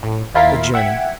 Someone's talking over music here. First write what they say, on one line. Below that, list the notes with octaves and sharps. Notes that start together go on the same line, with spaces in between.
The Journey.
A2
D#2 E4 F4 A#4 F5 B6
E5 F#5 G5 G#6 B6